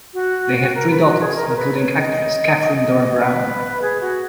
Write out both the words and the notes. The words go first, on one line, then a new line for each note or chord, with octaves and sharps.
They have three daughters, including actress Kathryne Dora Brown.
F#4
A#4
B4
F#4
G#4
A#4
A#4
B4
C#5
D#5
B4
G#4
F#4